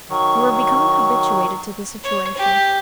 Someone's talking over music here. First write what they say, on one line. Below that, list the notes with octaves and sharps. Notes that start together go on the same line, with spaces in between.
We were becoming habituated to the situation.
D#3 F#3 C#6
C#5
G4